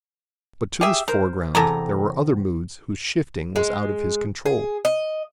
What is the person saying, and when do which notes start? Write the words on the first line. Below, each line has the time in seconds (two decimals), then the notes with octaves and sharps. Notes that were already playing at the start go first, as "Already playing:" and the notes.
But to this foreground there were other moods whose shifting was out of his control.
0.81 G4 G#4 E5
1.08 A#4 C5
1.55 E2 C3 G#4 A4 A#5
3.56 G#3
4.46 G#4
4.85 D#5